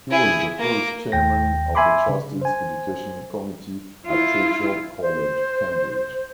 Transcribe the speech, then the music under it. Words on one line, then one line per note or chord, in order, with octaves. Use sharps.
He was the first chairman of the Trustee's education committee at Churchill College, Cambridge.
E4 G#4
A#3 D6
D#2 G5 A#6
E5 G#5 B5 C6 D6
C#3
C5 G#5
E4 F4
C5